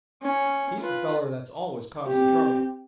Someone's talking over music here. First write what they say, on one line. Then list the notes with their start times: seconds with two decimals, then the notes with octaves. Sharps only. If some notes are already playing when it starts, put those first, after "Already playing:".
He's the feller that's always causin' trouble.
0.22 C#4
0.80 F4 B4
2.08 C4 G4